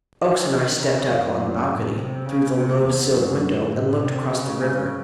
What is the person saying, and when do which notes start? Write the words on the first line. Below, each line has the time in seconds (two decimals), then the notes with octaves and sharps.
Oakes and I stepped out on the balcony, through the low-silled window, and looked across the river.
0.23 E3
0.51 D#3
0.81 C#3
1.10 F#2
1.68 A2
1.97 C3
2.26 C#3
2.55 C3
2.85 E2
3.14 F#2
3.72 A2
4.01 C3
4.30 C#3
4.59 C#3